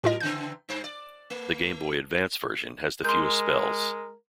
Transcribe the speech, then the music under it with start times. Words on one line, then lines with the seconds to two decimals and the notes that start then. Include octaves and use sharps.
The Game Boy Advance version has the fewest spells.
0.04 A2 F#3 F4 A#4 D#5
0.20 E2 C#3 C4 G6
0.69 G2 C5
0.84 D5
1.30 A3
3.05 G#3 A#4 C6 G6